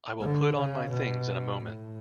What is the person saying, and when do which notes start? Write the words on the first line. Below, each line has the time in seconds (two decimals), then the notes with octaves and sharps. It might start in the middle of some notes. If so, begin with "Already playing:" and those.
I will put on my things in a moment.
0.20 D3
0.55 C#3
0.90 B2
1.63 A2